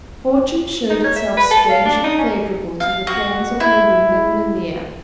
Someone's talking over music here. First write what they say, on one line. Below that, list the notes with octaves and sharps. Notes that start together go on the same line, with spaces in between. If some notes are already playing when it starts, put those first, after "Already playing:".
Fortune showed itself strangely favourable to the plans of Nahoon and Nanea.
D#4
C#5
E5
B4
A4
F5
D4
D#4
C#4
F5
F#4
E4